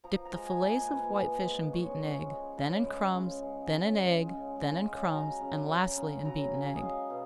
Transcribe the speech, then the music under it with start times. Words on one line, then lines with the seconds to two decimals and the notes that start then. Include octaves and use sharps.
Dip the fillets of whitefish in beaten egg, then in crumbs, then in egg, then in crumbs, and lastly in beaten egg.
0.04 F3 A#5
0.25 A#5
0.32 G#3
0.46 G#5
0.60 A#2
0.67 G#5
0.88 A#2 B4
1.17 F3
1.45 G#3
1.73 G#3 C#5
2.02 C#3
2.30 G#3
2.58 C#3 B5
2.86 G#3
3.14 C#3
3.43 G#3
3.71 C#3
3.99 G#3
4.27 C#3
4.56 G#3
4.84 C#3
5.12 F#3 A#5
5.40 C#3 B5
5.68 F#3 A#5
5.97 C#3 B5
6.25 F#3 A#5
6.53 C#3 G#5
6.75 D#5
6.81 G#3 F5
7.10 B2